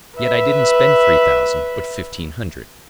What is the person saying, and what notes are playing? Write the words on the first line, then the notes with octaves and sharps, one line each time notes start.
Yet I didn't spend three thousand, but fifteen hundred.
B4 E5